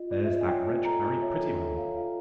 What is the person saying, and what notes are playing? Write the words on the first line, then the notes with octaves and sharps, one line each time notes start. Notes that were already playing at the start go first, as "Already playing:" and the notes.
There's that wretch Harry Prettyman.
Already playing: F4 D#5
F4 D5
E5
F4 D#5
G#5
C#5 G5
F4 A5
A4 A#5
F4 G#5
C#5 E5
A4
A4 E5
C#5 F5
F4 F5